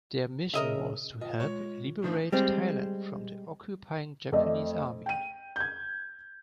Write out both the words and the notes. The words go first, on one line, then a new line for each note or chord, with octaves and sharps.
Their mission was to help liberate Thailand from the occupying Japanese Army.
C#3 A#4 D#5 E5
F4 D#5
G#3 C#5
A2 D#3 F3 D4
G3 G#3 C4
F2 A3 D5 D#5
G5 D#7
G6 G#6